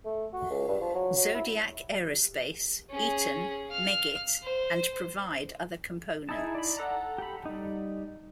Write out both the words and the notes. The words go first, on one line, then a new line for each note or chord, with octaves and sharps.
Zodiac Aerospace, Eaton, Meggitt and provide other components.
A3
F#4
C#2
G2
F3
F#3
F#3
E4
C#4 G#4
F5 F6
C5
D#4 E4 G#4 A5
D5 B5
A4 F#5 A#5
G4 B5
G3 D#4